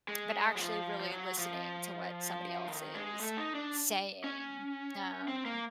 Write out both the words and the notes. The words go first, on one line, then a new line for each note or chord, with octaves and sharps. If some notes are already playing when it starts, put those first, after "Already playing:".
but actually really listening to what somebody else is saying, um
G#3
F#3
F3
F3
F#3
F3
D#3
G#3
A3
D#4
D4
C#4
C4
A#3